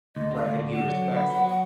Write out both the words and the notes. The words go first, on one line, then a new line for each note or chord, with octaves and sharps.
Right, and he respects it.
D2 D#5
D3 F5
D2
D3
D3 F#5
F#3
D3
B3
F#3
F#3